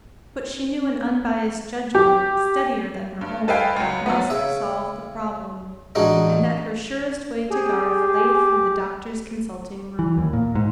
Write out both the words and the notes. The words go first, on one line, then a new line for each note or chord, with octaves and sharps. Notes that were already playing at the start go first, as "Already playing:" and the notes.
But she knew an unbiased judgment, steadier than her own, must solve the problem; and that her surest way to Garth lay through the doctor's consulting-room.
G4
G2
A4 B4 D#5 F5 G5 G#5
C#2 F#3
F3 F#3 B3
C#3 E5
A1 G#3 D4 D#4 F#4
G4 G#4
E3
D#2
A#2
G#2